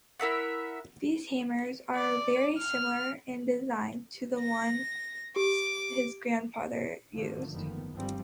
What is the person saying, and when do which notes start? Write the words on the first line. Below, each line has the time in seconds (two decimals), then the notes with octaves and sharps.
These hammers are very similar in design to the ones his grandfather used.
0.20 E4 A#4 E5 F#5
1.95 D5
2.59 F6
4.39 A#6
5.36 G4 D6
7.15 G#2 D3 D#3 F3 A3
7.51 F#1 D#3 F3 B3
7.93 G1 F3 G3 C4